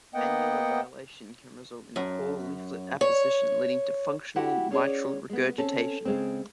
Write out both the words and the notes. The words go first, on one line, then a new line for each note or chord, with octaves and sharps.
Annular dilatation can result in poor leaflet apposition, leading to functional mitral regurgitation.
A#3 B3 D#5 F#5 G5
F#2
C#5
E4 F#4 G4 F#5
C#4 G#4 C#5 D5
G#3 B3
C4 C#4 A4
C#3 G#3 C4